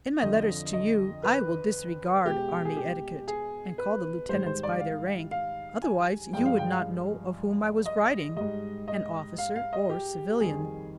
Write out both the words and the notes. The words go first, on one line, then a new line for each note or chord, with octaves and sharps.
In my letters to you I will disregard army etiquette, and call the lieutenants by their rank, otherwise you would not know of whom I was writing--an officer or civilian.
F2 D3 F3 D#5
D#5
B4
B2 G#3 G4
G#4
G4
G#4
B4
G#2 D#3 G3 C5
C5
D5
F5
F5
G#5
G2 F3 G#3 G5
F5
G5
F5
D#5
G#2 G3 D#5
D#5
F5
F5
D#5
G4
F2 D#3 G3 G#4